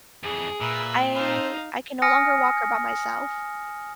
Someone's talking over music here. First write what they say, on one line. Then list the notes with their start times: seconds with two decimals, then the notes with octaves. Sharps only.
I I can no longer walk her by myself.
0.24 F2 E3 G#4
0.61 A#2 A#4 B4 E5
1.15 D#4 A4 C5 F5
2.02 G#5 D#6 F6 A#6 C#7